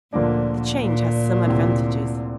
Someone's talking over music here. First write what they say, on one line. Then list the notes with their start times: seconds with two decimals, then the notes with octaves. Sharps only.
The change has some advantages.
0.13 D2 A#2 D3 F3 A#3 D4
0.79 A#2
1.46 D2 C3 E3